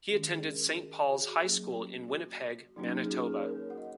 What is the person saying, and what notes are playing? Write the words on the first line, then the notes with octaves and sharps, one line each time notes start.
He attended Saint Paul's High School in Winnipeg, Manitoba.
D#3 G#3 C#4 F#4
G#4
A#4
G#4
F#4
G#4
F#4
F#3 A#3 C#4 G#4
F#4
F#3 A#3 C#4 D#4
D#4
G#4
F#4
G#4
C#5
A#4
F#5
D#5